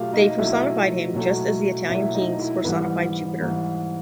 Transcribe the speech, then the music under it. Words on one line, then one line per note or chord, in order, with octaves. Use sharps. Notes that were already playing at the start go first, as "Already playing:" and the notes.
They personified him just as the Italian kings personified Jupiter.
Already playing: B2 F#3 A3 F4 G4 F5
D#4 D#5
B2 F#3 A3 E4 E5
B2 F#3 A3
B2 F#3 A3 E4 E5
D#4 D#5
E4 E5
G#2 E3 G3 B3 B4
G#2 E3 G3